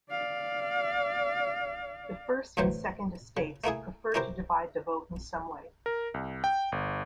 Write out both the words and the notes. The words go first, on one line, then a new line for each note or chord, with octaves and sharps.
The First and Second Estates preferred to divide the vote in some way.
D5 F5
D2 A2 E3 F#3 C5
C#3
A3 A#3 E4 G#4
C#4 E4 G4 A#4 C5
A#4
C2
G5
G1